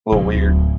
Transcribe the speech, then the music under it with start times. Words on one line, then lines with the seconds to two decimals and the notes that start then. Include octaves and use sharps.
little weird.
0.12 D1